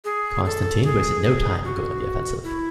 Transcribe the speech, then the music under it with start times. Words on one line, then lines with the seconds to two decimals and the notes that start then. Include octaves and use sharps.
Constantine wasted no time going on the offensive.
0.04 G#4
0.45 A4
0.84 G#4
1.64 F#4
2.44 E4